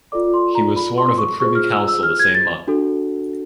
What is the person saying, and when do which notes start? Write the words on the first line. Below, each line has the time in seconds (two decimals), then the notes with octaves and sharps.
He was sworn of the Privy Council the same month.
0.12 F4 A4 D5 D6
0.34 C6
0.55 A#5
0.76 B5
0.98 C6
1.18 C#6
1.40 F4 G#4 C5 C#6
1.55 F6
1.72 E6
1.88 E6
2.03 F6
2.19 G#6
2.35 A6
2.67 D4 F#4 A4